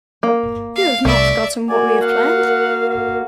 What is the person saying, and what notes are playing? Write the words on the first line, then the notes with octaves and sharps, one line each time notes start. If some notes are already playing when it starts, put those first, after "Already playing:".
You have not forgotten what we have planned?
A#3
F5
C2 A3 D5 E5
A#3 F#4 A#4 D5 G#5
F5 F#5
F5